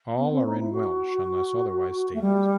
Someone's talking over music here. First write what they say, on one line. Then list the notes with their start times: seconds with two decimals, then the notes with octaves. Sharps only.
All are in Welsh unless otherwise stated.
0.17 B3
0.32 C4
0.45 D#4
0.59 E4
0.72 F#4
2.13 A3
2.21 G3